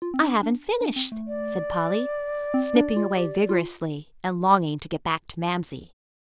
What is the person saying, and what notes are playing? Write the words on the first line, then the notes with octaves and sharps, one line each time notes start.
"I haven't finished," said Polly, snipping away vigorously, and longing to get back to mamsie.
F4
C4
D4
D4
D4
C4
A3
D5
C4
D4
F4
G4
F4